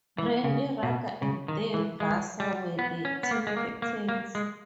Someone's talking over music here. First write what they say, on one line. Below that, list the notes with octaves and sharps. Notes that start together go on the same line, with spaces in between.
Randy Ruger and Dave Vassar were the team captains.
E3
C#3
B2
C#3
D#3
E3
G#3
G3
B3
C#4
B3
A#3
G#3
A#3
A#3
A#3
G#3